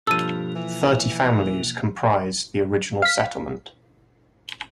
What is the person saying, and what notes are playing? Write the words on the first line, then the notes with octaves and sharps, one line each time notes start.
Thirty families comprised the original settlement.
G2 B2 F3 A#3 A4 E6 D#7
E3
F5 B6